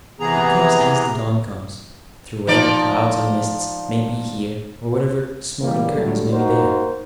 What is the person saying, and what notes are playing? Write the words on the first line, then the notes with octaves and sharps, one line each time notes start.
It comes as the dawn comes, through whatever clouds and mists may be here or whatever smoke and curtains may be there.
C3 E3 B3 G#4 A#5
F3 D#4 D5
C#3 E3 G3 G#3 A#3
D2 G2 A#2 F#3 G3 A3
A#3 D#4 F#4 A#4 C5